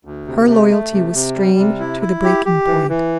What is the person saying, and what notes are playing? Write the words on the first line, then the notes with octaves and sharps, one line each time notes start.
Her loyalty was strained to the breaking point.
D2
C3
A3
A3
C3
C3
G3
C3
E4
E4
G4
G4
E3
E3